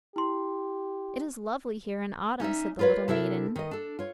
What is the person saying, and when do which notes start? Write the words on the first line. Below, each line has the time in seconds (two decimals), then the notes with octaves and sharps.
"It is lovely here in autumn!" said the little maiden.
0.16 E4 G4 C6
2.40 C#4 D#4 D5 E5
2.79 F4 A#4 B4 C#5 F5
3.08 C3 D4 E4 A4 A#4 E5
3.56 D#3 D#5
3.71 D4 A4
3.99 F4 C#5